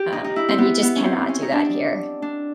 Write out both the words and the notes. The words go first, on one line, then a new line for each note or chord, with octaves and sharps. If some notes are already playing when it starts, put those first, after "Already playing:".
Um, and you just cannot do that here.
Already playing: G4
D#4
D#4
E4
C4
B3
B3
C#4
C4
C#4
D#4
D4
D4